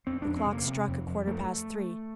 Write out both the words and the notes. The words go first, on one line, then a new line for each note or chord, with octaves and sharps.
The clock struck a quarter past three.
F2 C4
F2 D4
C4
C3
A#3
C3
F2
F2
G2 A3